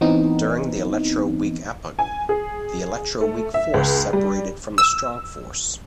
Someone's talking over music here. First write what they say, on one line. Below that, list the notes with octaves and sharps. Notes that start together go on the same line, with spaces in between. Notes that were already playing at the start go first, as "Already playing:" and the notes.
During the electroweak epoch, the electroweak force separated from the strong force.
E3 B3 C4 D#4
G#5
G#4
A3
E5
C#2
G3
E6